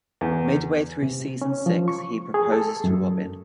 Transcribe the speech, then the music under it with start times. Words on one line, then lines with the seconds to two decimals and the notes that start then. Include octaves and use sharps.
Midway through season six, he proposes to Robin.
0.21 E2
1.03 C3
1.42 C#4
1.66 F3
1.88 C#6
2.34 G#4
2.52 A4
2.84 F#2